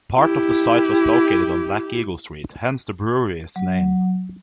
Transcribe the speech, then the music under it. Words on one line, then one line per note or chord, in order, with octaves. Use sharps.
Part of the site was located on Black Eagle Street, hence the brewery's name.
E4 G4
F#3